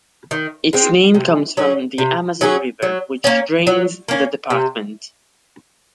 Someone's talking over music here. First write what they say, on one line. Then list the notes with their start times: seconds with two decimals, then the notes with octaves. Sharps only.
Its name comes from the Amazon River which drains the department.
0.31 D#3
0.73 G#3 C4
1.14 C3
1.57 F#3 C#4 G#4
1.98 C3
2.41 F#3 C#4 G#4
2.82 F#3
3.24 A#3 C#4
3.67 F#3
4.09 A#3 C#4
4.50 C3